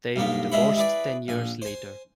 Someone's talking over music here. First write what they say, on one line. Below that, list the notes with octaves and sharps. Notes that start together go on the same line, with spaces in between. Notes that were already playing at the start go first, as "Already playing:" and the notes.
They divorced ten years later.
B1 G2 A#3 B3
G2 D#3 G#3 C5 E5 B5
E4 G#4 B4 D5
A#1 G#5
C5 G#5